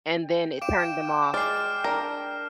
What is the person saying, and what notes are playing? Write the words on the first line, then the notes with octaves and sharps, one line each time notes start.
and then it turned them off.
G5
F5 D6 D7 E7
G#3 D5 F6 C7
D4 A#4